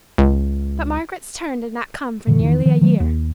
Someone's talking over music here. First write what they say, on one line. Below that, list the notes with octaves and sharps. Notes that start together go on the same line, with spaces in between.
But Margaret's turn did not come for nearly a year.
C#2
F#1 A#2 D3 E3
E2 D#3
D#3 F3
D#3 F#3 A3
D#2